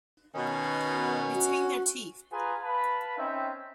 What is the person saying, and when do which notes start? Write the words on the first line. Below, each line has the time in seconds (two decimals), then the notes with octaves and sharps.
Between their teeth.
0.35 B2 D#3 C#4
1.34 F#4
2.32 F4 G#4 B4 G#5 A#5
2.63 B4 F5 A5 B5
3.17 C4 C#4 D#4 E5 G5